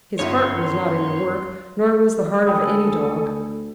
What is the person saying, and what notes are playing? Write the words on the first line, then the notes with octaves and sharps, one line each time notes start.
His heart was not in the work, nor was the heart of any dog.
G1 F#2 D#4 F4 C#5 E5 C6
D2 A4 G5 G#5 B5 D#6